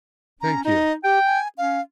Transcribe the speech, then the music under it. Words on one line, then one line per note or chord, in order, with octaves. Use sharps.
Thank you.
C#4 A#5
D#4 D#5
G4 G5
G#5
C#4 F5